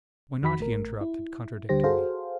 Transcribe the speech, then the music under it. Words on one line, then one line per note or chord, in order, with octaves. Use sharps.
"Why not!" he interrupted, contradicting me.
F2 D#3 F#4 B5 B6
A1 A3 A#4
E4
D2 D3 G3 G4 C5 A#6
F#4 G#4 A4 C5 F5